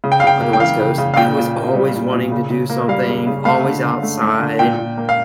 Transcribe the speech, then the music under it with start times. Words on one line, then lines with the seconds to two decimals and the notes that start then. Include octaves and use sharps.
on the West Coast, I was always wanting to do something, always outside,
0.04 C#3
0.12 G5
0.20 F5
0.23 C#3 G5
0.42 A#3
0.53 G5
0.60 E3 F5
0.80 C#3
0.98 C#3
1.14 F5
1.17 A#2 G5
1.37 A#2
1.56 A#3
1.75 G3
1.94 A#2
2.13 A#2
2.31 C#3
2.50 C#3
2.70 A#3
2.88 G3 F5
3.08 C#3
3.27 C#3
3.45 A3 F5
3.64 D3
3.84 D3
4.03 A3
4.22 A3
4.40 D3
4.59 A#2 G5
4.79 A#2
4.98 A#3
5.09 F5